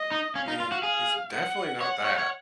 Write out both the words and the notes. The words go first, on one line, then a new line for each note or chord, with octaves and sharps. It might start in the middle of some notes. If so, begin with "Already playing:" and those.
I mean, he's definitely not that.
Already playing: D#5
D#4
C#4 F5
D#4
F4
F#4
G#4
F#5
C#5 F#5
C#5
C#5